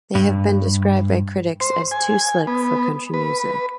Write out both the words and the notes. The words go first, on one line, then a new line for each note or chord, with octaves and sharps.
They have been described by critics as too slick for country music.
G2
C5
G#5
B3
B4